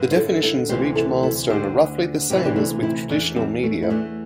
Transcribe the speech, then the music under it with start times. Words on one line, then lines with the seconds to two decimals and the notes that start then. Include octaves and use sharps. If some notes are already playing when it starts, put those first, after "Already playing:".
The definitions of each milestone are roughly the same as with traditional media.
Already playing: G2 D3
0.11 C5
0.16 E4 A4
0.43 E4 A4
0.69 D2 C3 E3 G4 C5
0.95 E4 A4
1.23 E4 A4
1.49 D2 D3 G4 C5
2.30 D2 C3 E3 G4
2.38 E4
2.45 D4 G4
2.56 A3 D4
2.83 C4 E4
3.09 E2 E3 A3 D4
3.36 G3 C4
3.63 A3
3.83 E4
3.90 E2 E3 A3 D4